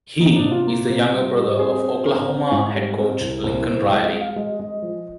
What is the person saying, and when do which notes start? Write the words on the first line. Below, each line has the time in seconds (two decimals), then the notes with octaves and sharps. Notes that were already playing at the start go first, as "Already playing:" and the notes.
He is the younger brother of Oklahoma head coach Lincoln Riley.
0.20 A#3 D#4
0.31 D#4
0.36 D4
0.43 C3
0.52 F4
0.67 A#3
0.90 C3
1.13 G3
1.36 G3
1.59 C4 G#4
1.82 C4
2.05 C4 A#4
2.28 C4
2.52 G#2
2.75 G3
2.98 C4
3.21 C2
3.44 C2 C5
3.67 C2 C5
3.90 G#3 D#5
4.13 G#3
4.21 F5
4.36 G#3 D#5
4.59 G#3 D#5
4.82 F3